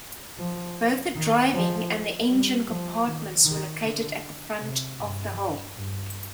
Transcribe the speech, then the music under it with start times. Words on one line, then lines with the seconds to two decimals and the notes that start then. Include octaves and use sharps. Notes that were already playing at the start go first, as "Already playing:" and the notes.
Both the driving and engine compartments were located at the front of the hull.
0.38 F3
1.16 D#3
1.54 F3
2.30 G3
2.69 F3
3.07 D#3
3.45 D#3
3.84 D3
4.61 C3
5.00 G2
5.76 G2